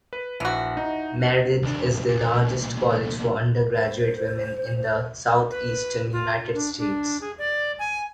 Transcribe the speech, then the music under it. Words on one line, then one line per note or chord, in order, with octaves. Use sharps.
Meredith is the largest college for undergraduate women in the southeastern United States.
B4
A#1 E3 F#4
D#4
D#2 D4
F#2 C3
B1 A#2
C5
B4
F4
D4
D4
G#4
D5
G#5